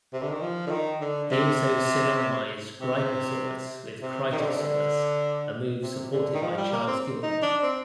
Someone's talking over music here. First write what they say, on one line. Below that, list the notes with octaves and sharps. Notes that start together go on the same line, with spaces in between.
He also synonymized "Gryposaurus" with "Kritosaurus", a move supported by Charles Gilmore.
C3
D3
D#3
F3
D3
D#3
D3
C3
C3
C3
D#3
D3
C3
D3
C3
D3
D#3
F3
G3
A#3
C4
D#4
D4
C4